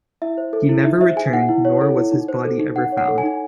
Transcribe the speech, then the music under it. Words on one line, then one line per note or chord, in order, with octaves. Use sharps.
He never returned, nor was his body ever found.
E4 E5
C5
A4
E4
D#4 E5
C5 E5
G#4 G#5
D#4 F#5
E4
C#5
A4
E4
D#4
C5
A4
D#4
D#4 F#5
C#5
F#5
A4
G#5
D#4